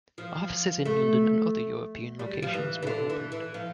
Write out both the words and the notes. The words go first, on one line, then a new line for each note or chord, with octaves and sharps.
Offices in London and other European locations were opened.
F3
A3
G3
F3
E3
E3
D3
E3
E3
F3